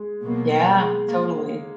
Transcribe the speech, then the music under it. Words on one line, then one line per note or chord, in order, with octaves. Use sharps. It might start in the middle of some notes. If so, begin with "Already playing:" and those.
Yeah, totally.
Already playing: G#3
B2 F#3 A#3
G#3
A#3